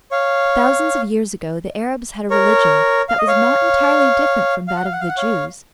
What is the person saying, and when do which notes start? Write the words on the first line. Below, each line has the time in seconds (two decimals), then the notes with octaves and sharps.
Thousands of years ago the Arabs had a religion that was not entirely different from that of the Jews.
0.11 C#5 F5
2.30 A#4 C#5
3.09 F5
3.18 D#5
3.27 C#5 F5
4.68 F5
4.76 F#5
4.85 F5
4.92 F#5
5.01 F5
5.09 F#5
5.17 C#5 F5